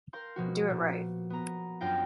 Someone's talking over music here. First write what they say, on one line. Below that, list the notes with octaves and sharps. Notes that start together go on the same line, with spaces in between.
Do it right.
A#4 F5 C6 G6
B2 F3 F#4
A#2
B3 A#5
F#2 D4 F4 F5 G5 A#6